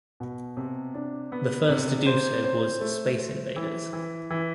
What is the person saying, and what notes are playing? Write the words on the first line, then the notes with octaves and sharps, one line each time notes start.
The first to do so was "Space Invaders".
B2
C3
D4
B3
C3
C5
C5
A3
C5
E3
E3
E3